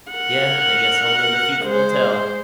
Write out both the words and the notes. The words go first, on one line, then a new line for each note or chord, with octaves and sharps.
Yeah, I guess only the future will tell.
A#4 F#5
G#3 C5